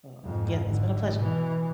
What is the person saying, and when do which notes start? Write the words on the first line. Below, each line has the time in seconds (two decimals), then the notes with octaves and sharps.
So, um, yeah, it's been a pleasure.
0.25 F2 G#2
0.63 G#1 D3
1.16 B2 E3